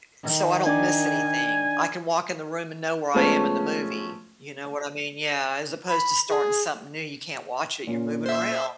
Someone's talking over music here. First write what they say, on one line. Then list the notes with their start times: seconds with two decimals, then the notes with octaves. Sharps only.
i so I don't miss anything. I can walk in the room and know where I am in the movie, you know what I mean? Yeah, as opposed to starting something new, you can't watch it, you're moving around.
0.23 D#3
0.67 D4 D5 G#5
3.14 F3 G#3 A3 B3 C#4
5.88 B5
6.29 G#4
7.87 A#2 A#3 C#4
8.26 C5 E5